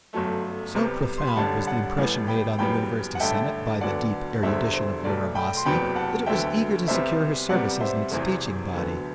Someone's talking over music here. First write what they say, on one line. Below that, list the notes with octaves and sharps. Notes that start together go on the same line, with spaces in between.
So profound was the impression made on the university senate by the deep erudition of Laura Bassi that it was eager to secure her services in its teaching body.
G1 F#2 F#3 A3
C2 C3 G3 B3
C6
B5
A1 G2 D3 G3 F#5 A5
F#5 A5
A1 A2 E3 G3 B3
G5 B5
F#1 F#2 E3 G3 B3 G5 B5
F#5
A1 G2 D3 A3 E5 G5
D2 D3 F#3 B3 D5 F#5
E1 E2 D3 G3 C5 E5
C5
B1 B2 A3 D5
G5 B5
C6
F#1 E2 C3 F#3 B3 G5 B5
F#5 A5
D2 D3 F#3 B3 E5 G5
C2 C3 G3 B3 C5 E5
C2 C3 G3 B3 D5 F#5
C5 E5
E1 E2 C3 E3
D2 D3 F#3 B3